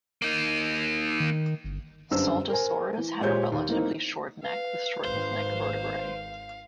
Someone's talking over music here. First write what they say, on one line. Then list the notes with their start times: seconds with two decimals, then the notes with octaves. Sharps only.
"Saltasaurus" had a relatively short neck with shortened neck vertebrae.
0.22 A#3 D#4
1.20 D#3
1.64 G1
2.11 G1 F#2 D3 D4 C5 E6
2.50 A#4 C5 G#5
2.97 E3
3.20 A#2 G#3 G4 C5 C#5 G6
3.52 D#2
3.69 E3 A#3 C4 D#4
4.43 B4 F5
5.05 G#1 C5 F5